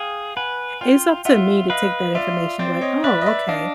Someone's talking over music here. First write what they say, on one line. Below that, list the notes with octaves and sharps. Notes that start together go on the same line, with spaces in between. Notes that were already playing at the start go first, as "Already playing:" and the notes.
It's up to me to take that information, like, "Oh, okay."
Already playing: G#4 F5 G5
B4 F#5 G#5
F4 F5 G5
F4 E5 F#5
B4 D#5 F5
F4 D5 E5
C4 C5 D5
C#5 D#5
B4 D5 E5
D#5
D5 E5
D4 D#5 F5